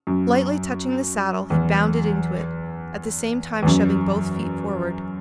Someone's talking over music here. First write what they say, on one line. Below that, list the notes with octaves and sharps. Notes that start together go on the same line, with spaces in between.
Lightly touching the saddle, he bounded into it, at the same time shoving both feet forward.
F#2
E2
E2
F#2